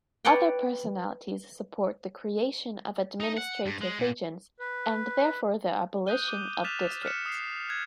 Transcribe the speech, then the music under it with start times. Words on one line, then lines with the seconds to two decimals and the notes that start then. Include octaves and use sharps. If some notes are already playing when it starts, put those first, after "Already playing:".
Other personalities support the creation of administrative regions and therefore the abolition of districts.
0.25 B4 C#5 D5 F#5 G5
3.20 D#4
3.37 F#5
3.66 G2
3.81 G#3
3.99 A#2
4.60 B4
6.07 D#6 F#6 G6 D#7 G7
6.27 D6 D#7
6.64 F6 F#6 A6 B6 E7 F7
7.03 F6 F#6 B6 C#7 E7
7.26 D#6 C7
7.69 F#6 G#6 A6